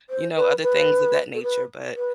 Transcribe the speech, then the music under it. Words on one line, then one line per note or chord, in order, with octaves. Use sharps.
you know, other things of that nature, but
C5
B4
B4
A4
B4
B4